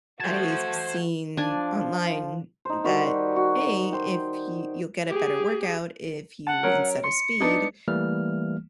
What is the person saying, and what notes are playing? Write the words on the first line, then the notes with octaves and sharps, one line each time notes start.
I've seen online that, "Hey, if you you'll get a better workout, if you- instead of speed-
A3 F#4 C5 A5 G#6
F3 D4 G#5
D#4 C5
D#3 G3 F#4 C5
F#4
C5 G5
G4 G#4
F#5 A5
F#3 C#4 A#4
C6 C#7
B3 D4 D#4
E3 G3 A3 A#3 F6